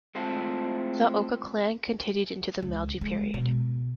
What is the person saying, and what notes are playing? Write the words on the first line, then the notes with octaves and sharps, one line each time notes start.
The Oka clan continued until the Meiji period.
G#3 A3 C4 E4 F4 A4
C#2
G#3
B2